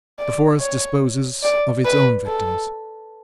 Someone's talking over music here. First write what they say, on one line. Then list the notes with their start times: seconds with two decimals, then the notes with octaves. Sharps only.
The forest disposes of its own victims.
0.19 D5
0.60 C#5
1.43 D5
1.85 B4
2.27 A4